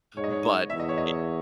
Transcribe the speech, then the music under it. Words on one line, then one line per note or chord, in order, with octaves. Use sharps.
but i
G#2 C#5
D#5
C#5
E2 E5
D#5
C#5
D#5